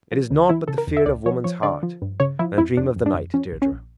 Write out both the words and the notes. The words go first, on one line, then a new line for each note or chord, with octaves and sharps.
It is nought but the fear of woman's heart, And a dream of the night, Deirdre.
F3
D2
E3 E4
C#3 A4
A#4
E2
E5
C#2 D5
F3 C#5
F3 C#5
D3 D5
F3
G2
C#3 C#5
F3 E4
F2 E4
F2 D4
F2
D4
F2
F3 C#4
A#1
C#4
A#1